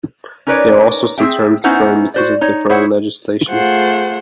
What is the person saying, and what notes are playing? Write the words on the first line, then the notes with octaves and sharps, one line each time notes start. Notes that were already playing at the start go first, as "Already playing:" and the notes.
There are also some terms differing because of differing legislation.
C#4 D#4 A#4 B4 C#5 D5
C4 G#4 E5 G5
B3 C#4 D#4 E4 C5 F#5
F#4 C5 D5
D#4 C#5
E4 G#4 C5 C#5 E5 F#5
A3 F4 G#4 C5 F#5